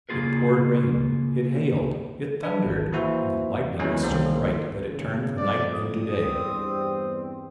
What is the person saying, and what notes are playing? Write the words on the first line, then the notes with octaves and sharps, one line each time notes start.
It poured rain, it hailed, it thundered, and the lightning was so bright that it turned the night into day.
C#3 A#3 C4 F4 G#4 A#4
D4 B4
G#1
E3 A#3 E4 F#4 C5 E5
E3 F#3 G#3 B3 C#4 E4
C2 D#3 A#3 C5
D#2 C#3
F2 D5
D#6
E2 G2 C4